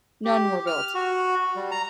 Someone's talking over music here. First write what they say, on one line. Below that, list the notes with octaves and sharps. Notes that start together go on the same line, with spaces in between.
None were built.
G4
F6
F#4
G3
A#5